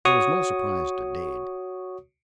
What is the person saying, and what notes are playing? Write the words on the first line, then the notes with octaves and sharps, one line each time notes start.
It was no surprise to Dade.
F#4 C#5 C#6 D#6